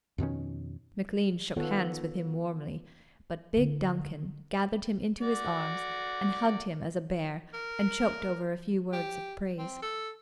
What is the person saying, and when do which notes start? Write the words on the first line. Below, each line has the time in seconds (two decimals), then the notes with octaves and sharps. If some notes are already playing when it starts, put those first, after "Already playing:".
McLean shook hands with him warmly, but big Duncan gathered him into his arms and hugged him as a bear and choked over a few words of praise.
0.18 F2 B2 D#3 C#4
1.56 D#3 B3 F4 A4 C#5 F#5
3.56 D3 E4
5.22 F#4 D5
7.53 A#4
8.93 G4
9.59 C4
9.82 A4